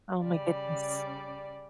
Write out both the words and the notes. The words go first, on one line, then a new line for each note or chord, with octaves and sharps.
Oh my goodness.
C#3 G3 D5